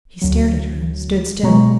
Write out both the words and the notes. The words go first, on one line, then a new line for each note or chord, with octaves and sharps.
He stared at her and stood still.
D2 F#3
B2 F#3 G#3 A#5 C#6